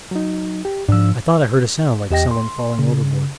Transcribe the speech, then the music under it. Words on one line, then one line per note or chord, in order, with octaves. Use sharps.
I thought I heard a sound like some one falling overboard.
F#3 D#4
G4
G#2 F3 D4 E6
E2 G4 D#5 G5 A#6
C6
C#3